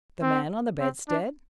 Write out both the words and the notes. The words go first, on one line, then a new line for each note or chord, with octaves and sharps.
"The man on the bedstead?"
C4
C4
D4